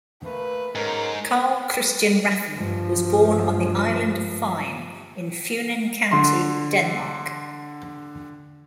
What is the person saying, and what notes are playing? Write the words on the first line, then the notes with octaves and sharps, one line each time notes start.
Carl Christian Rafn was born on the island of Fyn, in Funen County, Denmark.
A3 A#3 B4
G#2 C#4 A4 A#4
G2 F3
D3 C6